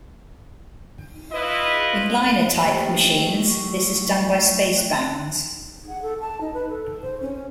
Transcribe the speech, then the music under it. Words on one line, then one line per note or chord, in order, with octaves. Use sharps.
In linotype machines this is done by spacebands.
E4 F4 B4 D#5
A2 A#3 G4 C5 G5 A6
F#3 C#6
G5 F#6
F#5
A4
A5
D#4
B4
A4
C5
C#4